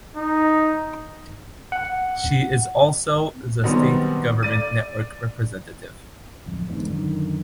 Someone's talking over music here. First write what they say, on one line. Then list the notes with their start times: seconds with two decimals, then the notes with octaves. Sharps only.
She is also the State Government Network Representative.
0.16 D#4
1.72 F#5
3.63 B2 D#3 F#3 G3 B3 C4
4.43 D5 A6 D#7
6.46 D1 F2
6.68 E2 G#2 D3
6.89 F#2 D3 D#3